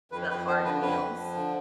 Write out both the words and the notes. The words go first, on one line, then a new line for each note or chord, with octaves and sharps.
the hard meals,
F2 B4
F2 B4
F3 C5
D3 B4
F2 B4
F2
F3
D3